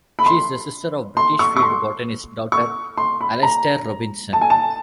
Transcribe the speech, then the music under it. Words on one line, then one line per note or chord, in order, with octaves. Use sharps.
She is the sister of British field botanist Doctor Alastair Robinson.
B5
C6
C6
C#6
C#6
C6
C#6
C6
B5
A#5
A5
G#5
A5